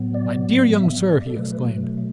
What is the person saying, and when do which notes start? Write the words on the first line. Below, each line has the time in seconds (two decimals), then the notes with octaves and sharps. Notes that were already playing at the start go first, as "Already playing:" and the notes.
"My dear young sir!" he exclaimed.
Already playing: A2 F#3 B3
0.14 D5
0.76 E5
1.06 D5
1.27 A4
1.36 B2 F#3 A3 B4
1.52 B4